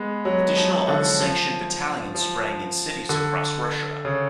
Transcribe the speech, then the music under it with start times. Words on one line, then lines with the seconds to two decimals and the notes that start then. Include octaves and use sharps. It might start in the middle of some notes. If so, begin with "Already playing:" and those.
Additional unsanctioned battalions sprang in cities across Russia.
Already playing: G#3 B3
0.25 F#3
0.57 F3
0.88 D3
1.20 F3
2.15 F3
3.09 D3
4.05 C#3